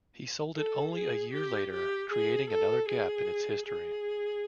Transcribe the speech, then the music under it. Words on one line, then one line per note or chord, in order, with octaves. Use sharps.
He sold it only a year later, creating another gap in its history.
A4
G#4
G4
G4
G#4
A4
G#4
G#4